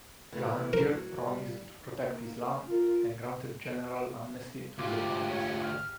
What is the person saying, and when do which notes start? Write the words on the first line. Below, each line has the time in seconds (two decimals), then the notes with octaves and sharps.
Jahangir promised to protect Islam and granted general amnesty to his opponents.
0.32 E3 A3 B3
0.73 A#4
0.91 F#3
1.27 G3
2.01 A#3
2.68 F4 A#4
4.78 D2 G#2 F4 G4 D6
5.29 C#5
5.63 F6